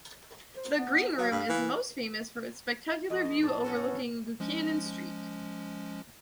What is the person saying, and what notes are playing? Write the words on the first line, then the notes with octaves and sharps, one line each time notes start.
The Green Room is most famous for its spectacular view overlooking Buchanan Street.
C5
B3
F#3 F5
G2
E3
F2 D#5
A2 A5
C#4 F#4 A4
B3
F3 G#3 C#4